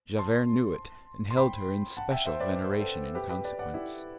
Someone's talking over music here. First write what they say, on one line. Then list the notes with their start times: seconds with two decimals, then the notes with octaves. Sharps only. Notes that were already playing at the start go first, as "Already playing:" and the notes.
Javert knew it, and held her in special veneration in consequence.
0.18 A5 C6
1.31 C6
1.37 G5 B5
1.97 F#5 A5
2.12 E5 G5
2.25 C5 E5
2.40 B4 D5
2.55 D5
2.64 C5
2.72 B4
2.80 A4 C5
3.15 G4 B4
3.29 G4 B4
3.45 B4 D5
3.59 D5 F#5
3.74 E4 G4